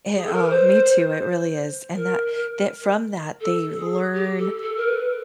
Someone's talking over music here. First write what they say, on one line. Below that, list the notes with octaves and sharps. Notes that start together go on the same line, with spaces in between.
it oh, me too it really is, and that that from that, they learn
G#4
A4
A#4
B4
C5
A#4
A4
G#4
G4
A4
A4
A#4
B4